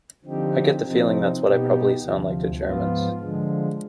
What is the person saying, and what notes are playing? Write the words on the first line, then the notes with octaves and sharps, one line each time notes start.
I get the feeling that's what I probably sound like to Germans.
D3 F3 C4 D#4 G4
C3 F3 C4 D#4
B2 B3 D#4 G4
D2 C3 F3
G#2 F3 B3 F4
D3 F3 G#3